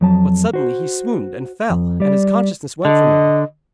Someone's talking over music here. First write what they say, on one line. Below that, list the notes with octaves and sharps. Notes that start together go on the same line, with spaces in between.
But suddenly he swooned and fell and his consciousness went from him.
F2 F#3 A5
F#4 C5
F2
G3 D5
D3 D#5